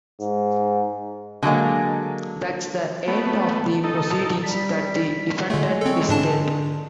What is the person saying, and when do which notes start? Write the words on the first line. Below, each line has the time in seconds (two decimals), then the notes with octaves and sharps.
That's the end of the proceedings, that the defendant is dead.
0.20 G#2
1.43 D3 F#3 G#3 A#3
3.08 A3 B3
3.84 D#4 A4
4.43 G3 B6
5.50 D3 G#3 A3 F4
5.81 C4 A4 C#5
6.09 G#2 D3 D4 A5